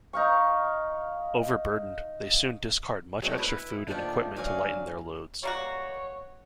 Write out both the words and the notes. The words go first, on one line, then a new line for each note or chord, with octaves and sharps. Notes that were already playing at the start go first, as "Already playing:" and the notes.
Overburdened, they soon discard much extra food and equipment to lighten their loads.
D#4 F5 C#6
F#3 G#3 A3 C4 D4
E4 B4
A#2 D#3 F3 A3 D4
D2 F#3 D5 F5 G#5
G3 A#3 F#4 C#5